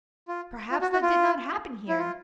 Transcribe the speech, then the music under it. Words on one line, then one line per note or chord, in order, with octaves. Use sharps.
Perhaps that did not happen here!
F4
F4
F#4
F#4
F4
E4
F4